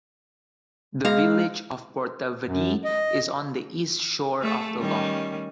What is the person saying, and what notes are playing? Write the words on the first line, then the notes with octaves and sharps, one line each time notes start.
The village of Portavadie is on the east shore of the loch.
G#3 F5 A#5
F#2
D#5
A3 G#4 A4
D#3 G3 C#4